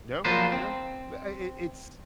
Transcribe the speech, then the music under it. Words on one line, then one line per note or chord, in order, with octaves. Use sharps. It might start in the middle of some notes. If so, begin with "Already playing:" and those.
No, no. But, I I it it's
F3 F#3 A#3 F4 B4 C5
C4